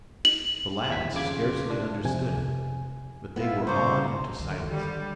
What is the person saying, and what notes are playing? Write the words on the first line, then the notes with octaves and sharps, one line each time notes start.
The lads scarcely understood it, but they were awed into silence.
F#7
D#2 E4 G#6 B6
F2 C#3 F4 D6 G#6
C3 D4
F2 C3 G#5
B3 E4 F4
G2 C#3 C5 A#5 C#6 D6
D3 D#3
G3